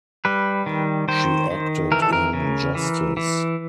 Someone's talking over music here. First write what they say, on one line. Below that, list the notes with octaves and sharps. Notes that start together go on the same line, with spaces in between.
She acted in "Justice".
G3 B4
D#3
D#3 C5
D#3
E3 A#4
A4
A#4
C#3
E3
E3